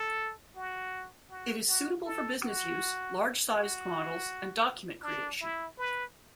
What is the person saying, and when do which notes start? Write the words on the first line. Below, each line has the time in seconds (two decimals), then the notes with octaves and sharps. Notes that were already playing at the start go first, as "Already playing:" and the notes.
It is suitable for business use, large-sized models, and document creation.
Already playing: A4
0.56 F#4
1.30 F#4
1.68 F#4
2.06 A4
2.42 F#4
3.54 F#4
5.03 D4
5.41 E4
5.78 B4